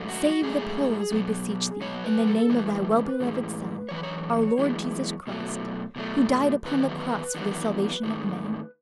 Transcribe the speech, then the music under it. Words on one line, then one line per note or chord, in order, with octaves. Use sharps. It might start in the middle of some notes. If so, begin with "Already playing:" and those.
Save the Poles, we beseech Thee, in the name of Thy well-beloved Son, our Lord Jesus Christ, who died upon the cross for the salvation of men.
Already playing: G#2 F#3 A3
F#4
G#2 F#3 A3 G#4
B2 F#3 B3
B2 F#3 B3 C#5
B4
A4
A2 E3 G#3 B4
A2 E3 G#3
F#2 E3 C#5
B4
C#5
F#2 E3 G#3 B3
B2 F#3 A3
B2 F#3 A3
E2 D#3 F#3 B3 B4
E2 D#3 F#3 B3
G#2 D#3 A3